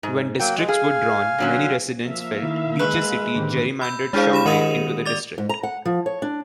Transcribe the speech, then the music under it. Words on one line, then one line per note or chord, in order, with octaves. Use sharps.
When districts were drawn many residents felt Beecher City gerrymandered Shumway into the district.
G#2
F#3 A#3 G5
G#3
G#4 F5 G#5
D3 F#3 C#4
F3 A#3 E5 F5
D#3 E4
G#3 B4 C#6
A2 D3 D#3 A#3 C4 G4
B5 E6 G6
G#3 D4 E4 G#4 C5 F5
G4 B5 E7
D#3 A#4 D#5 D#6 D#7 F7
D5 D6 A6
G#2
A#5
F#5
F3
C#5
D4